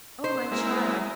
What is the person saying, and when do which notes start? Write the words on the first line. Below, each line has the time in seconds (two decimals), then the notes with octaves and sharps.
Oh, my child!
0.24 C5
0.51 G#3 A#3 E4